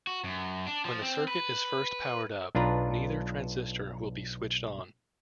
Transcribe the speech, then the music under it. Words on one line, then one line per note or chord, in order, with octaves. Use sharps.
When the circuit is first powered up, neither transistor will be switched on.
F#4
F#2
D4
F3
C4
B4
B1 D4 F4 B4 A#5